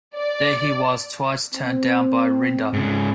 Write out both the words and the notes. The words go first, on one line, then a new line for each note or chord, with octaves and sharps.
There he was twice turned down by Rinda.
D5
C4
G#2 C#3